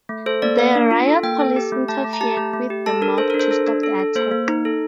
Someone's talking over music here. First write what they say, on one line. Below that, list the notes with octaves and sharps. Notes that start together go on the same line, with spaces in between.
The riot police interfered with the mob to stop the attack.
A3
A4 C5
A#3 D5
A#3 F5
D4
F4
A4
A#3 G5
A4
G4
A3
A3 A5
A3
A#5
G4 A5
A3
A3
G4
A4 A5
D4 A#4
A4 C5
A#4
D4
C5
A4
D4
A4
A4
A#3 C5
A#3
D#4
A4